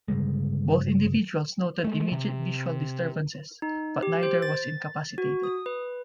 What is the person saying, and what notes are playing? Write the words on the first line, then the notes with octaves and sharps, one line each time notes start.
Both individuals noted immediate visual disturbances, but neither was incapacitated.
G1 C#3 G3 G#3
G#3 A3
C3
D#4
G4
C5
A6
F#4
D#6
B4